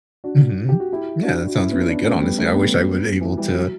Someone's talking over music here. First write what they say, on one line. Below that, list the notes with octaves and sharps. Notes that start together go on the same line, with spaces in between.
Mhm, yeah that sounds really good, honestly. I wish I was able to
D4 F#4
G4
F#4
E4 G4
D4 F#4
F#4
C#4 E4
B3
C#4
B3 D4
A3 C#4
G3 B3
A3 C#4
G3 B3
E3
E3 G3
F#3